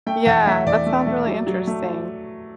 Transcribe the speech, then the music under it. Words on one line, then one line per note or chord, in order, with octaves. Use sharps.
Yeah, that sounds really interesting.
A3 G5
E2 F#5
A3 E5
E2 D5
A3
A3
F#3
F#3
A3